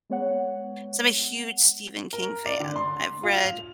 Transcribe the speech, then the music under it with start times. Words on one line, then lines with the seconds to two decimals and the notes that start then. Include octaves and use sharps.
so, I'm a huge Stephen King fan, I've read
0.10 G#3 B3 C#5 F#5
2.13 A#4
2.46 D5
2.60 D3
2.76 C6
3.23 F4
3.44 F7